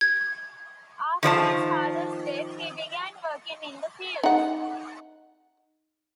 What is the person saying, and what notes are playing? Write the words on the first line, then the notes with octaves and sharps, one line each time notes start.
After his father's death he began working in the fields.
G#6
D#3 F3 D5 A5
D#4 F#5